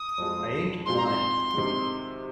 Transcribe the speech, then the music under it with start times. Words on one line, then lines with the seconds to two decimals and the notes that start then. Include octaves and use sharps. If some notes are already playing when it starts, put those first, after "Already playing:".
I ain't blind.
Already playing: D#6
0.18 F2 F3 G#3
0.86 G#2 G#3 C4 F4 G#4 C6
0.97 A#5
1.07 C6
1.54 C3 D#3 G#3